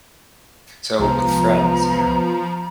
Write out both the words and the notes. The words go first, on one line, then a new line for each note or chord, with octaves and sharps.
so with friends, you know,
C2 F3 G#3 B3 A#5